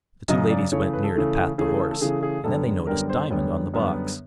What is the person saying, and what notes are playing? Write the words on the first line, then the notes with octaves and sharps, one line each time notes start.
The two ladies went near to pat the horse, and then they noticed Diamond on the box.
F#2 C#3 F#3 D#5
D5
C#3 E3 A3 C#5
B4
A4
C#3 E3 A3
C#3 E3 A3 G#4
G#4
A4
A4
C#3 E3 A3 G#4
G#4
F#2 D3 G3 B3 A4
F#2 D3 G3 B3 A#4
C5
F#2 D3 G3 B3 C#5
F#2 D3 G3 B3